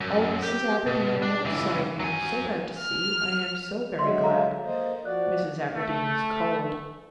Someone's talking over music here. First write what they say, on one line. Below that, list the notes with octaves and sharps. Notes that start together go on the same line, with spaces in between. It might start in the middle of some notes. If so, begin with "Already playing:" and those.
"Oh, Mrs. Aberdeen, I never saw you: I am so glad to see you--I am so very glad." Mrs. Aberdeen was cold.
F#2
G4
B2
D4
C#2 E3
F#3 G#5
F6
F#3 G#3 E5 C6
A4 F5 A#5
A#3 C5 D#5
F3 F#4 D5 F#6
A3